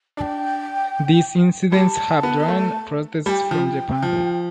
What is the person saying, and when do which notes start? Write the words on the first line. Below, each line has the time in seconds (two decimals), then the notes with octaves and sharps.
These incidents have drawn protests from Japan.
0.17 D4 A5
0.21 G5
1.71 G3 A5
2.23 B3
2.48 A3
3.26 G3 A5
3.29 G5
3.51 F3
4.02 F3